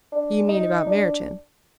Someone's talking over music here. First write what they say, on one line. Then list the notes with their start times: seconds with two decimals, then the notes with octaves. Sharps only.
"You mean about Merton?"
0.12 D4
0.48 D#4
0.87 D4